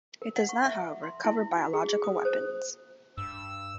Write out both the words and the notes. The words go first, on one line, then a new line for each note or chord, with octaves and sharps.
It does not, however, cover biological weapons.
A#4
F#5
C#6
E5
C6
E4
F#4
G#4
D#6
C5
G2 E6